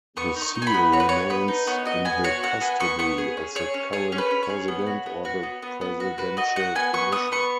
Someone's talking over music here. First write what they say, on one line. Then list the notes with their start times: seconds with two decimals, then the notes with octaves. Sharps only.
The seal remains in the custody of the current President or the Presidential Commission.
0.17 B3 C#6
0.36 D#4
0.42 C#6
0.55 D#4
0.62 G#5
0.67 B5
0.74 B3
0.92 F#4 C#5
1.00 B4
1.09 B3 C#5
1.30 B3 B4
1.48 D#4
1.67 B3 C#5
1.85 F#4 D#5
2.05 B3 G#5
2.24 F#4 C#5
2.43 F#4 F#5
2.61 B3 G#5
2.80 B3 C#6
2.99 B3 C#6
3.18 G#4
3.37 C#4
3.55 G#4 C#5
3.74 C#4
3.93 G#4 C#5
4.12 C#4
4.18 B4
4.31 C#4
4.43 C#5
4.50 G#4
4.68 B3
4.87 F#4
5.06 B3
5.25 F#4
5.43 B3
5.62 B3
5.81 B3
6.00 F#4
6.18 F#4 B4
6.37 F#4 D#5
6.56 F#4 F#5
6.75 B3 G#5
6.94 B3 C#6
7.12 B3 D#6
7.32 B3 C#6